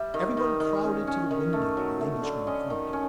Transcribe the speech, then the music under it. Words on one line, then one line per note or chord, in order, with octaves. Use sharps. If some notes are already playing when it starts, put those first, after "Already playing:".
Everyone crowded to the window, the Englishman in front.
Already playing: G3 E5
D#3
D#3
D#3
C#4
C#4
D#3
A3
F#3
A3
D3
C#4 D#5
D#3
C#4